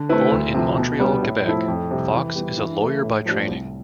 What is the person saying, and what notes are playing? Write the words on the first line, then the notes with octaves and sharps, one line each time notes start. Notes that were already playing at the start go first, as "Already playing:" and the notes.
Born in Montreal, Quebec, Fox is a lawyer by training.
Already playing: D3
A3 C4 E4 B4
D2
C3 F3
B2
G3 B3 D4
A2
F3 A3 E4 A4
F2
C3 G3
E3
G3 B3
E3
A3 E4 A4
A2
F3 A3 D4 G4
C2